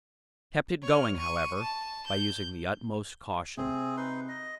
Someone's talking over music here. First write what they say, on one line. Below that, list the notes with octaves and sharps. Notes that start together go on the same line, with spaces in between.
We kept it going, however, by using the utmost caution.
C#5 F6
C#6 D#7
A5
G6
C3 C4 G#4
D#4 B4 C6
D#5